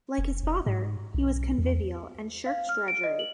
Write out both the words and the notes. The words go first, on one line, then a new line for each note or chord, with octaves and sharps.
Like his father, he was convivial and shirked drudgery.
F1
F1
G#2
B1
E2
F5
F6
D7
D#5
F#7